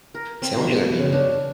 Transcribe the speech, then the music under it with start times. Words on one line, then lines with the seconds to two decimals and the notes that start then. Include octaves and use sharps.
Sandwiches are eaten
0.15 A#4
0.42 C4
0.56 B2
0.99 C#3
1.12 D4